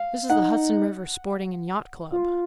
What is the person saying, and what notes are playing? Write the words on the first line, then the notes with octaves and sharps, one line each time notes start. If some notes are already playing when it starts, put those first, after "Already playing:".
"This is the Hudson River Sporting and Yacht Club."
Already playing: F5
D#4 F#5
F4